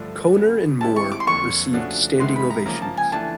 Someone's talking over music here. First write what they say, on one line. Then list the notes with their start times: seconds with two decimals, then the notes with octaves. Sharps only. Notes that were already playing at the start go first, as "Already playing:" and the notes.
Kohner and Moore received standing ovations.
Already playing: G2 D3 F3 A3 D4
0.34 C#3 F#3 B3
0.81 D#3 G#3 C4 E4 G4 A5
0.96 C#6
1.12 D6
1.20 C6
1.27 F2 D3 F3 A#3 D4 C#6
1.73 C#3 F3 A3 D4 F#4
2.20 C3 D#3 G#3 B3 C6
2.36 B5
2.50 A#5
2.66 C#3 F3 A#3 A#5
2.82 A5
2.97 G#5
3.12 E3 A3 D4 A5